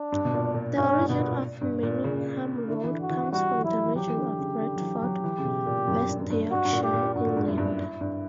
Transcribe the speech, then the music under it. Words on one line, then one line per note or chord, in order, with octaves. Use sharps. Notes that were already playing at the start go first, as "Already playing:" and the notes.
The origin of Manningham Road comes from the region of Bradford, West Yorkshire, England.
Already playing: D4
G2
B2
A#2
A#2
G2 C#4
G2
B2 B3
A#2
G2
A#2
C#3
D3 E4
E3
D3
F#4
E3
G3 F#4
E3
F#3 E4
E3
F#3 G4
E3
D3
C#3
D3
F#3
E3
F#3
E3
C#3
B2
A#2
F#2
G2
F#2
G2
G2 F#4
G2
A#2
G4
A#2
G2 F#4
A#2
G2
F#2 E4
G2
G2